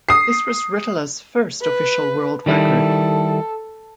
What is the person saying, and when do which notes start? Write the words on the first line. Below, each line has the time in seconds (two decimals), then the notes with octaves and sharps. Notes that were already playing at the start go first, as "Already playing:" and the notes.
This was Ritola's first official world record.
0.09 D#6 C7
1.62 B4
2.46 D#3 G3 E4 A4